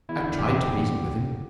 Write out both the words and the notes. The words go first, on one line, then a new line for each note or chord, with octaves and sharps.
I tried to reason with him.
E2 E4
D3
E2 G4
D3
E2
D3